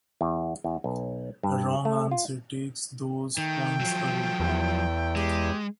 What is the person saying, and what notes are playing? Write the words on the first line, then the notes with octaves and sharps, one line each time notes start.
A wrong answer takes those points away.
E2
E2
B1
G2
A3
F4
D#3 A3 G5
F3 F#3
E2
G#3 G4